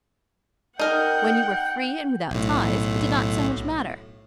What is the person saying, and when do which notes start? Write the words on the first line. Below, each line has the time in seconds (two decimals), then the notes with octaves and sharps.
When you were free and without ties, it did not so much matter.
0.79 D#4 A#4 F#5 G5
2.31 B1 A2